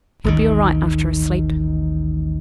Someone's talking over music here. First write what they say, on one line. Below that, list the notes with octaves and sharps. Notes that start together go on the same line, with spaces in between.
He'll be all right after a sleep.'
A1 D#2 D#3